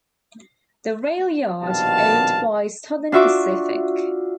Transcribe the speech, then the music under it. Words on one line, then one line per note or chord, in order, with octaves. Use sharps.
The railyard, owned by Southern Pacific.
A#1 B2 D#3 G3 F5 A5
D4 F4 F#4 E5 C#6 D6